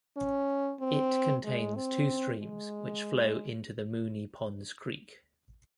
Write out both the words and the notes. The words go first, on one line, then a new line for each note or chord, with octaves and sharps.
It contains two streams which flow into the Moonee Ponds Creek.
C#4
C4
G#3
C4
G#3